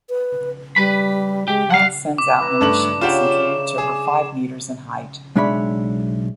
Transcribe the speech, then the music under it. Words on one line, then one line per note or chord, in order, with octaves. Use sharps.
The plant sends out many shoots and can reach over five metres in height.
B4
G3 B4 B5
G#3 G4
G3 F5 F#5
D6
E4 B4 A#5
G2 A3 D4 F#7
C#3 F4 G4 F#5 E7
G#4
B1 G#3 D4 C#5 E5 B5